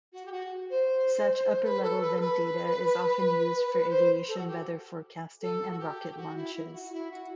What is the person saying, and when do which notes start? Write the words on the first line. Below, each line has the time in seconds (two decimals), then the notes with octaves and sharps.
Such upper-level wind data is often used for aviation weather forecasting and rocket launches.
0.12 F#4
0.25 G4
0.32 F#4
0.70 C5
1.63 B4
1.82 A4
2.01 B4
2.16 A4
2.20 B4
3.90 C5
4.28 A4
4.38 F#4
4.47 G4
5.41 A4
5.71 F#4
5.79 G4
6.17 F#4
6.36 E4
6.54 E4
6.66 E4
6.73 F#4
6.92 E4
7.11 F#4